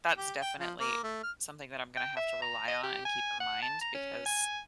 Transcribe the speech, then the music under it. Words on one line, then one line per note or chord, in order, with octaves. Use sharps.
that's definitely something that I'm gonna have to rely on and keep in mind because
G4
G5
F3
A#3
A3
F6
G5
E5
A#5
D#5
G4
G#5
F#5
A5
A#5
C#4
G#5